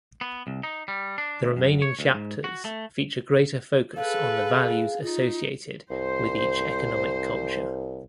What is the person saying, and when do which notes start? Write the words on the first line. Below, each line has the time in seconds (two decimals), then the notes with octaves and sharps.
The remaining chapters feature greater focus on the values associated with each economic culture.
0.21 B3
0.47 C2
0.63 D#4
0.88 G3
1.18 D4
1.43 D2
1.57 F#2
1.82 C#5
1.99 D2
2.14 G#2
2.44 F#4
2.65 A3
3.96 G#4 A4 B4 F5
5.03 D#4 F4
5.90 C2 C5